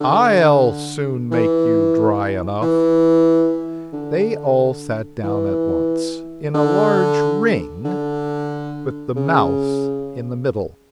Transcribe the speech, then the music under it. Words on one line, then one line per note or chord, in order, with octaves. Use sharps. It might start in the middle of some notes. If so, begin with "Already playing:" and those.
I'LL soon make you dry enough!' They all sat down at once, in a large ring, with the Mouse in the middle.
D3
E3
E3
D3
E3
D3
D3
C#3